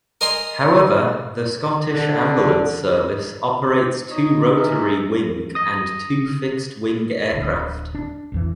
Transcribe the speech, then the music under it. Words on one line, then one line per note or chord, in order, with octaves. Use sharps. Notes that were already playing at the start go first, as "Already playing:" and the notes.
However the Scottish Ambulance Service operates two rotary wing and two fixed wing aircraft.
A#4 D#5 G#5 C6
D3
D#4 C#5 D#5
G#4 A#4 E5
D#6 A#6
D1 D3
D4
A1 E2 E3